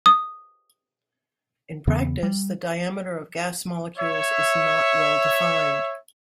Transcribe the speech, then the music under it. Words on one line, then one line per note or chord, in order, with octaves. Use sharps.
In practice, the diameter of gas molecules is not well defined.
D#6
E2 C#3 E3 B3
G3
C#5 E5